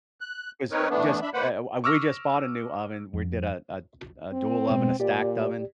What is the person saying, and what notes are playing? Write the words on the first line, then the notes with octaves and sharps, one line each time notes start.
'Cause just, eh, eh, wha we just bought a new oven. We did a a a dual oven, a stacked oven
F#6
C4 D#4 A#4 B4 C#5
E3 A3 B3 D4
D4 E5 B5
A#3 B4 C5 F#5 B5
C#6 D6 E6 F6 A#6
F2
C4
B2 G#3 B3
A#2 G4 D5